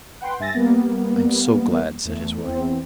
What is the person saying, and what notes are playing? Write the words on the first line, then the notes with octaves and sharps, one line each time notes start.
"I am so glad," said his wife.
B4 F#5 G5 C6
G2 E5 G#5 A6 A#6
G3 A#3 B3
E2 A3
E2 C4